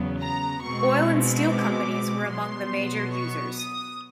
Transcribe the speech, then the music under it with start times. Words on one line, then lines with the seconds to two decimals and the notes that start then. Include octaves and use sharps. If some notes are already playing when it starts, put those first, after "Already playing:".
Oil and steel companies were among the major users.
Already playing: E2 C#3 F#3 B3
0.21 A#5
0.63 B2 G#3 C4 C#6
1.46 D6
2.29 B2 F#3 B3 C6
3.13 C#6
3.55 D#6